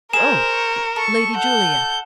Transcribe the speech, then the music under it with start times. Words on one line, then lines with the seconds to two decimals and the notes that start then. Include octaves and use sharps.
"Oh, Lady Julia!"
0.13 G#4 A#4 C5 E7
0.50 C#6
0.96 A4 C#6
1.37 F#5 G6